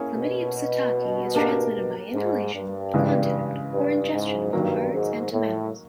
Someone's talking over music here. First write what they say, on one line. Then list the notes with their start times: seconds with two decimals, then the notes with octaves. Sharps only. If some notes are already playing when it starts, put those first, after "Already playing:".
"Chlamydia psittaci" is transmitted by inhalation, contact or ingestion among birds and to mammals.
Already playing: A#3 C#4 E4 G#4 C#5
0.15 B2
1.34 A#3 D4 G4 A#4
2.14 G#2
2.54 G2
2.94 C#3 E3 G#3
3.73 G2
4.14 G#2
4.53 G2 D#3 F#3 A#3
4.93 G#2
5.32 A2